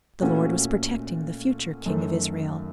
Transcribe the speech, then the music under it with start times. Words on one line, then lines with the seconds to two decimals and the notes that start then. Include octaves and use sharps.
The Lord was protecting the future king of Israel.
0.22 A#2 A3 C#4 F#4
1.86 F#2 D#3 A3